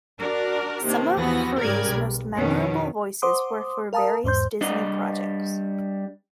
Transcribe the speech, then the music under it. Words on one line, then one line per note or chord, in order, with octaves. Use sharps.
Some of Frees' most memorable voices were for various Disney projects.
D4 F#4 A#4
C3 D#3 A#3 D4
E2 E3 F3 B3 F#4 A#6
G#2 C#3 G3 A#4 D5 G#6
B1
F2 B2 D#3 C#4
C5 F#5 C6 D6 D#6
A#4 F5 A5 A#5 D#6
E2 G#2 C5 C6 G6
G3 D4 D#5